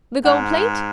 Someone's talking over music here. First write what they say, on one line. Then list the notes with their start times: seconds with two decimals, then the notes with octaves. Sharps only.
"The gold plate?"
0.24 G#2 F#5